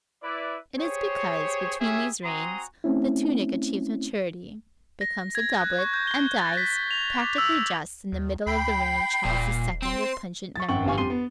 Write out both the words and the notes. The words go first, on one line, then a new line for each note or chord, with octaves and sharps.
It is because, between these reigns, the tunic achieves maturity, becomes a doublet, and dies, practically just in the middle of the reign of Charles II. of pungent memory.
E4 B4 D5
G4 G#4 C5 C#5
C#4 E4 G4 G#4 C#5 E5
C4 F#4 G#5 A#5 C6 D#6
A3 C4 C#4 E4
A#6
G#6
F#6
C#6
G6
G7
A6
B6
F7
D6
E6
D#2
D2 G5 B5 C7
D#1 A#2
C4 C6
C#6 A6
G#1 F#2 F#5 G5 C#6 F#7
G1 G4 F5 G#5 C#6
F2 G4 C6 C7 D#7 G7
B3